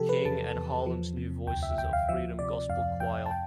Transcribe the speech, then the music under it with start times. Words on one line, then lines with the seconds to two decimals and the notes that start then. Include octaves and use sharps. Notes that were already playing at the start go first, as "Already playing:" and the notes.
King, and Harlem's New Voices of Freedom gospel choir.
Already playing: C3 F3 G4 A4
0.09 B4
0.25 E2 A5
0.56 E2
0.86 F3
1.17 C3
1.47 D2 G5
1.63 E5
1.78 D2 G5
1.93 F5
2.09 F3 E5
2.39 C3 D5
2.69 F2 F5
3.00 F2 G5
3.26 A5
3.31 G5